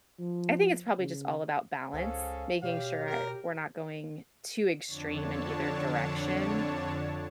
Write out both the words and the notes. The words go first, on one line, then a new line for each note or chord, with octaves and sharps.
I think it's probably just all about balance, making sure we're not going too extreme in either direction.
F3
C#3
C#2 C#4 G#4 A4 C5 F5
B2 G4 C#5 F5
A#4
F2 D3 D4 C#5 A5